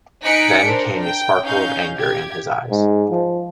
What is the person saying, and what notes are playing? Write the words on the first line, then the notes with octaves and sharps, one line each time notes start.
Then came a sparkle of anger in his eyes.
D#4 G#5 F#6 B6 C#7 D7
D4 A#4 C5
G5
C#4 D#4 F5 G6
G4 G#6
G#2
F3